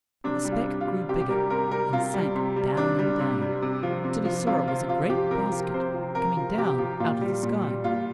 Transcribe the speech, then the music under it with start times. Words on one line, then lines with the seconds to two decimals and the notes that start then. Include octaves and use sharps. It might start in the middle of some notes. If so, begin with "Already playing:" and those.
But the speck grew bigger, and sank down and down, till he saw it was a great basket coming down out of the sky.
0.24 C3 D4
0.45 G3
0.52 F4
0.66 C3
0.81 F4
0.87 G3
1.09 C3 G4
1.21 G4
1.29 G3 A#4
1.50 C3 A#4
1.71 G3 A#4
1.93 C3 F4
2.14 G3
2.35 C3
2.56 G3
2.77 C3 D4
2.99 G3
3.20 C3
3.41 G3
3.62 C3
3.83 F3
4.04 C3
4.25 F3
4.47 C3 F4
4.68 F3 F4
4.89 C3 F4
5.10 F3 G4
5.31 C3 A#4
5.52 F3
5.74 C3 C5
5.94 F3
6.15 C3 A#4
6.37 F3
6.58 C3 G4
6.78 F3
7.00 A#2 F4
7.21 G3
7.43 A#2
7.63 G3
7.84 A#2 F4